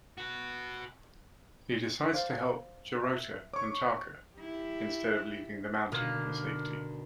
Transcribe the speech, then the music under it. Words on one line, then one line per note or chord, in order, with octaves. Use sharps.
He decides to help Jurota and Taka instead of leaving the mountain for safety.
F#4 B4
C5 D5 F5
E5
C#5 C#6 D6
E4 G4
B2 D3 D#3 A#3 F4